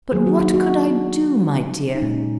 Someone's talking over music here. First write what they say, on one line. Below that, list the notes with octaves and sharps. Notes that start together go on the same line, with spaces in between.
'But what could I do, my dear?
D#3 F#3 A#3 G#4
F#4
D#4
F#4
D#4
A#2 G#3 C#4